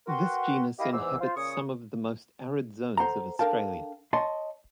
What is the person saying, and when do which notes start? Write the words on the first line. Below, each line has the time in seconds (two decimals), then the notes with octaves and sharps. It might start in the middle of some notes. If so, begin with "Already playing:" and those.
This genus inhabits some of the most arid zones of Australia.
0.07 F#4 A#4 B4 F#5 G5 C6
0.79 E4 G4 A#4 D#5 F5
0.92 E2 G#2 E3 C5 D6 E6
1.20 F4 C5
1.36 A#2 C#3 C#5 C#6 D#6
2.97 A4 C5 F#5 A#5
3.39 D4 A4 A#4 F5 G5 A5
4.13 C#5 D#5 A5 C6